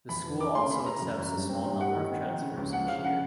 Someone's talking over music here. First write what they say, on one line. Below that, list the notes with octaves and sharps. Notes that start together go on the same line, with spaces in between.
The school also accepts a small number of transfers each year.
F2 B5
E3
C#3 D6
A3 C6
A3 B5
C#3 A#5
F#2
F#2
G2
C4
G2
G3 F#5
D#3
C4
F3
C#3
C#2
F3 F#5
C#3 F5
C#3 F#5